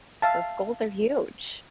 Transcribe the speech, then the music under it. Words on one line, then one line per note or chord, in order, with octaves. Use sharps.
Those goals are huge.
E5 F5 A5